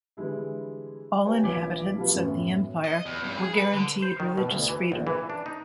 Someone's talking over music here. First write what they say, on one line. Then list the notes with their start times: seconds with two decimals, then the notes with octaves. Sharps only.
All inhabitants of the empire were guaranteed religious freedom.
0.17 D3 E3 G3 G#3 E4
1.25 G4 B4 C#5 D#5 G5 G#5
1.44 A#1 A#2 E3 D6 G#6 B6
1.97 F3 G3 A3 B3 F4 F#4
2.13 F#2 A2 E3 B3 C#4
2.84 D#5
3.06 E2
3.24 G2
3.37 G#4
3.54 B4
3.72 D3
4.02 C5
4.20 D#3
4.37 B2
4.51 D2
4.68 E3
4.92 A#1
5.07 E3
5.30 D4
5.46 D#4